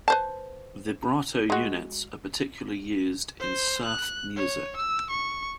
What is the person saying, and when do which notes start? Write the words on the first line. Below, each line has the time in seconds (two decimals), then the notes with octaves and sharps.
Vibrato units are particularly used in surf music.
0.08 B4 C5 A5
1.50 G#3 F#4
3.40 C5
3.85 F#6
4.36 C#5
4.77 E6
5.11 C#6